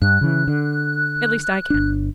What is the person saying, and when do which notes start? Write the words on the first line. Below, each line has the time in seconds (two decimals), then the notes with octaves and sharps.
At least I can.
0.02 G2 F#6
0.21 C#3 E3
0.47 D3
1.70 G1 D4